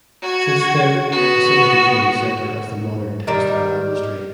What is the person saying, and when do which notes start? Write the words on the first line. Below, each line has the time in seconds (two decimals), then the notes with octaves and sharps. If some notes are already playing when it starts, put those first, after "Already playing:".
Since then, the city became a center of the modern textile industry.
0.22 F#4 G#6
1.12 B3 F#4
3.27 D#3 G3 A#4